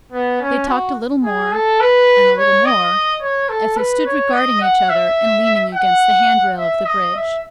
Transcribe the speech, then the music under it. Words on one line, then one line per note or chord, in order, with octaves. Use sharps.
They talked a little more and a little more, as they stood regarding each other and leaning against the hand-rail of the bridge.
B3
C#4
F#4
G#4
A4
B4
C#5
D#5
C#5
A4
B4
C#5
D#5
F#5
E5
F#5
E5
D#5
E5